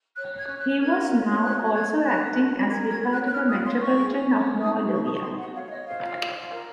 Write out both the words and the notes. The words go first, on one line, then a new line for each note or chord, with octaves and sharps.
He was now also acting as vicar to the Metropolitan of Moldavia.
C#5 F#6
C#5
G#6
C#4
F#6
C#4
A#4 G#6
D#4
C#5
C#5
F#4 F#6
C#5
C#5 G#6
A#4
C#5 F#6
A#4
F#4
C#5
A#4 G#6
F#4
G#6
A#4
F#6
C#5
F#6
C#5 F6
F4 D#6
C#5 C6
F4 C#6
G#4
C#4
C#5
C#4
D#4 D#6
D#4
D#4 C#6
D#4 D#6
C#6
D#4 C6
F#4 F#5
C#5 F5
F5
C#5 D#5
C5 F5
F4
F4
F4
A#4